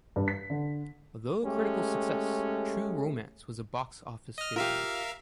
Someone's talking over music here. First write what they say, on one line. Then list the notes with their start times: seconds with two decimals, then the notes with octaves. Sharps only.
Although a critical success, "True Romance" was a box office failure.
0.16 G2
0.28 B6
0.50 D3
1.44 G#3 A3 C#4 G4
4.38 D#5 F6
4.56 F4 G4 A#4 E5 F5